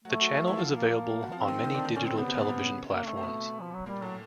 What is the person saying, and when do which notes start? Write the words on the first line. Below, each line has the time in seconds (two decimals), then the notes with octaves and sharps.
The channel is available on many digital television platforms.
0.04 F#3 A3 F#4
0.20 F#3 F#4
0.37 F3 F4
0.47 E3 E4
0.58 F3 F4
0.69 A#3
1.23 F#4
1.32 F3 C4 F4
1.48 D#3 D#4
1.64 D#3 D#4
1.74 D3 D4
1.85 D#3 D#4
1.95 D3 C#4 D4
2.06 C#3 C4 C#4
2.17 C3 B3 C4
2.27 C3 C4
2.38 A#2 A#3
2.49 C3 C4
2.59 C#3 C#4
2.91 A#3
3.07 A3
3.17 C4
3.23 B2 B3
3.60 F3
3.74 F#3
3.86 A#2 G3 A#3
4.02 A2 F#3 A3